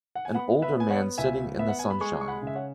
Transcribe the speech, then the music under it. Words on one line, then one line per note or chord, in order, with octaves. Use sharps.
An older man sitting in the sunshine.
F#5
G#5
B3 F#5 B5
B4 E5
B3 G#5
C#5 F#5
C#2 E5 G#5
B3 E5
F#5
G#5
B5
G#3 G#5 C#6
C#6
F#5 B5
C#3 E5
C#5 F#5